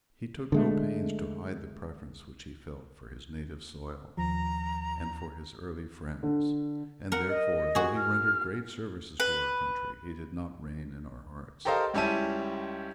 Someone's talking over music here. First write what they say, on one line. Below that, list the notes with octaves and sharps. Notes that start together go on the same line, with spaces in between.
He took no pains to hide the preference which he felt for his native soil and for his early friends; and therefore, though he rendered great services to our country, he did not reign in our hearts.
D3 G#3 A3
D#2 F3 A#5
D3
A#4 F#5
D#5
F#4 G#4
F6
B4
G4 A4 A#4 C5 D#5 F5
C#2 G3 C#4 E4 A5 D#7